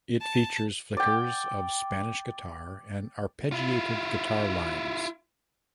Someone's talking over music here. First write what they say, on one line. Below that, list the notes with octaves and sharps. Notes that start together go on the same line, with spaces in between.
It features flickers of Spanish guitar and arpeggiated guitar lines.
A5
D5 G5
E4 F4